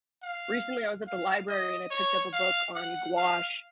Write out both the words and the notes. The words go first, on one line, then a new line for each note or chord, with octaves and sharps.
recently I was at the library and I picked up a book on gouache,
F5
F5
D#5
C#5
F5
F#5
F5